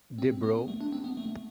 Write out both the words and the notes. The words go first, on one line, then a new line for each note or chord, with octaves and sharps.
The Bro.
C4
B3
A3
D4
C4
B3
A3